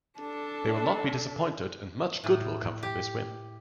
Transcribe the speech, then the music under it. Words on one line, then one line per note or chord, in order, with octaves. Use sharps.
They will not be disappointed and much good will come from this win.
D4 A4
A2
G4